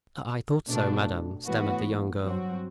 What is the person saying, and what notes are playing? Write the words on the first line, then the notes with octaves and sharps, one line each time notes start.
"I thought so, madame," stammered the young girl.
B2 A3 D4
A2 E3 B3 F#4 B4
G2 F#3 C4 F#4